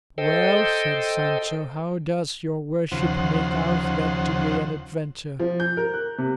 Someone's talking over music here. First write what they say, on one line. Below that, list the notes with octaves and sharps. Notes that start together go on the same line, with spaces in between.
"Well," said Sancho, "how does your worship make out that to be an adventure?"
A4 C5 D#5 G5
D#2 C#3 F3 C5 F#5
F3
G6
A#4
F#6
C3